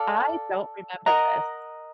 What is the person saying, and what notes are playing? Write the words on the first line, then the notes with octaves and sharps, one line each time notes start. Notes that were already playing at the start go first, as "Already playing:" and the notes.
I don't remember this
Already playing: A4 D5 F5
A#4 D#5 F#5 A#5